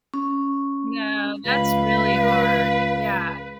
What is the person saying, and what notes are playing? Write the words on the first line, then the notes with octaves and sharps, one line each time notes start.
No, that's really hard, yeah.
C#4
C#2 B4 F5